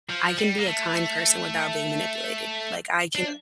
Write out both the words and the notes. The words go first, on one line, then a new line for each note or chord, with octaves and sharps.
I can be a kind person without being manipulated." Like, I can,
F3
G3
A#3
A3
D4